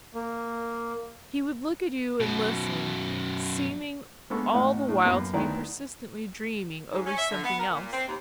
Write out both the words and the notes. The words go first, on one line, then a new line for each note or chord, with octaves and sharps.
He would look at you and listen, seeming all the while to be persistently dreaming over something else.
A#3
F#2 B2
G#3 A#3 B3 A4 C#6
A1 A2 F#5
A2
F#2 A#3 B3
D2 D#3 B3 E4 D5 A#5
G#2
C#4
E5
D3
B3
A#4
A#2
C4
D#2